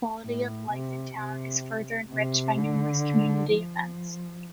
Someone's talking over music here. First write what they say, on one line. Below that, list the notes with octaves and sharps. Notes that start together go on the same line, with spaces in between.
The quality of life in town is further enriched by numerous community events.
A2
C3
C3
C3
D3
F3